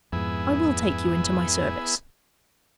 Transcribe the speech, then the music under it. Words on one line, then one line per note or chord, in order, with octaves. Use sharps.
I will take you into my service.'
F2 G#2 B3 E4 G#4